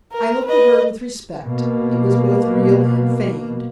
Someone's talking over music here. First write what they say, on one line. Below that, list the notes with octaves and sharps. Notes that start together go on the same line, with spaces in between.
I looked at her with respect; it was both real and feigned.
A#4
B4 D#5
B2 A#3